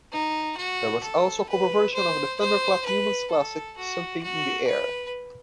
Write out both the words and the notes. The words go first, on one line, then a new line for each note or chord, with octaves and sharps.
There was also a cover version of Thunderclap Newman's classic "Something in the Air".
D#4
F#4
A4
B4
C5
C5
B4
A4
F#4
F#4
B4